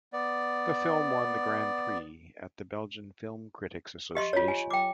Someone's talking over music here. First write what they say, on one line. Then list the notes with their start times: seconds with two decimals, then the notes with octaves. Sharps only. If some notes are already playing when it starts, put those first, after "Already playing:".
The film won the Grand Prix of the Belgian Film Critics Association.
0.13 B3 D5
4.15 G4 D#5 C6 C#6
4.33 F4 C#5
4.48 G#5
4.70 G5 D6